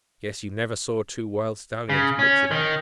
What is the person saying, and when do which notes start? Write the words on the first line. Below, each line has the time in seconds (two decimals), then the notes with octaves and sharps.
"Guess you never saw two wild stallions mix it up."
1.89 C#3
2.19 C#4
2.51 D#3